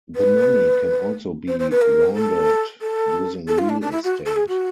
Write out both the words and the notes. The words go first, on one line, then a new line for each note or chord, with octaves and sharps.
The money can also be laundered using real estate.
B4
C5
C5
B4
A#4
A4
A4
A4
F4
D4
D4
E4
F#4
A4
G#4
F#4